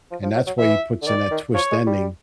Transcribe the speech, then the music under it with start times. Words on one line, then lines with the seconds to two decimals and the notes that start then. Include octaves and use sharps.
and that's why he puts in that twist ending
0.11 F3
0.23 F3
0.35 F#3
0.47 F#3
0.59 E3 E5
1.02 D3
1.07 D#3 D5
1.31 D#3
1.54 F3 C#5
1.71 G#3
1.87 G3